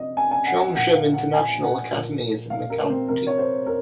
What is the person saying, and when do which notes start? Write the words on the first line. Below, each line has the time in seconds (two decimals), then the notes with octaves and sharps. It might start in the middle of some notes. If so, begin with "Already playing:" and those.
Cheongshim International Academy is in the county.
Already playing: C3 F3 D#5
0.17 G#5
0.31 G#5
0.46 F#5
0.75 A#2 F3 F#5
0.94 F5
1.14 F#5
1.33 G#5
1.63 F#5
1.92 A#2 F3
2.50 F5
2.70 A#4
2.90 C4
3.08 C3 F3 A#4
3.27 C#5
3.38 C5
3.66 A#4